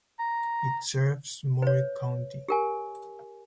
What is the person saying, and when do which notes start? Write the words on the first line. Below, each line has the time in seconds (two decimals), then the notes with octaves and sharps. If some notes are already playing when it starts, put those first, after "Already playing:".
It serves Maury County.
0.19 A#5
1.62 B4 C#5
2.49 G4 A#4 G#5